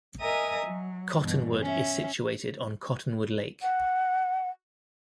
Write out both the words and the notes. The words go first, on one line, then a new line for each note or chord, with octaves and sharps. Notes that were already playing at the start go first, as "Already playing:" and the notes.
Cottonwood is situated on Cottonwood Lake.
A#4 D#5 E5 G#5 A#5 D#6
F#3
G2 B2 E3
C#4 E5
F#5